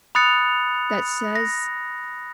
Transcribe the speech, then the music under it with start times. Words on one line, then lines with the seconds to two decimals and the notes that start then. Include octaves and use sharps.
that says
0.15 B5 D#6 F#6 A6 C#7 F7
1.35 A#6